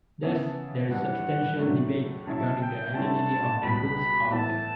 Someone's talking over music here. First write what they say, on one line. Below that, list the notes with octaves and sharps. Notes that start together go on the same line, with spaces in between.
Thus, there is substantial debate regarding the identity of the book's author.
C#3 E3 B3 E4 A5
G2 E3 G3 F#5
A2 F#3 A3 D4
C#3 F#3 C#4 E4 A5
G5
G2 D3 A3 C#4 E4 A5
C#2 B2 G3 B5
A2 E3 B3 E4 A5